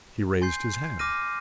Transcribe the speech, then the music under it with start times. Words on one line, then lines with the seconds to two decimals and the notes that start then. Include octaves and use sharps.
He raised his hand.
0.41 G#5 C6 G6 C7
0.99 D6 F6 A#6 D#7